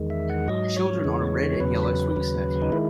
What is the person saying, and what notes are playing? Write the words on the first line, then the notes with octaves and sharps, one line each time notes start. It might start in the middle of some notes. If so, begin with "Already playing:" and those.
Children on a red and yellow swing set.
Already playing: E2 D#3 G#3
E5
F#5
G#2 F#3 D#5
C#5
E2 C#3 E3 G#3
E2 C#3 F#3 B4
D#2 C#3 F#3
D#4
D#3 G#3 E4